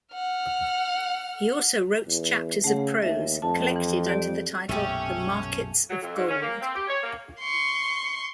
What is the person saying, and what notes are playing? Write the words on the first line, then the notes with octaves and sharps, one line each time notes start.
He also wrote chapters of prose, collected under the title: "The Markets of Gold".
F#5 F6
E2
C#3 A3 F#5
D#2 D#5 E5
F2 A5
E3
G4 D5
B1 F#2 A#2 A3 C#4 G4
F#3
F2
G#2
C#4
A#3
C4
G4
C#5
A#3
C6 C#6